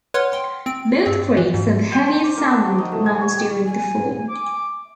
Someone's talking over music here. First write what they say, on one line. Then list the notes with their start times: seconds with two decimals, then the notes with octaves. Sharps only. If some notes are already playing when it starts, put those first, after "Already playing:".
Both creeks have heavy salmon runs during the fall.
0.14 B4 C#5 F#5 C6 F6
0.33 G5 C6
0.66 C4 D7
1.06 G2 C4
1.37 E3
1.54 G#2
1.92 G5
2.08 C5
2.24 D6
2.37 A#3
2.50 D4
2.64 F#4
2.78 D#4
2.92 A3
3.06 G#5
3.21 C#5
3.37 G4
3.66 G#5
4.29 D6